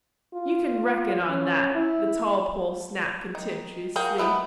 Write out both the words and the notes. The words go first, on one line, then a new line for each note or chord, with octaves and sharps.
"You can reckon on that," the tall Pole snapped contemptuously.
F4
C#4
E4
D#3
F#4 G#4 A#4 F5 G5
D#3 B3 E4 A4